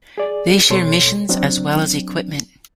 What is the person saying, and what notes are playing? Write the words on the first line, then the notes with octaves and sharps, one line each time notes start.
They share missions as well as equipment.
G#4 D5
B2 A4 C#5 C6
F#3 C4 D4